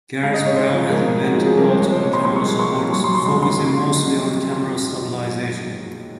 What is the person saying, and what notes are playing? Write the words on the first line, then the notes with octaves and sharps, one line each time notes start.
Garrett Brown has invented multiple camera supports focusing mostly on camera stabilization.
G#2 F5
D#5
G#2
C#5
G#3 C5
F3
G#2 A#4
G#2
G#3 F#4
F#4
F3
G#4
C2 A#4
C5
G#3
C#5
F3 C5
C#5
A#2 C6
C2 C6
C#6
G#3
F3 C6
A#2
F#2 C#6
C6
F#2
C6
G#3 C6
D#3 C6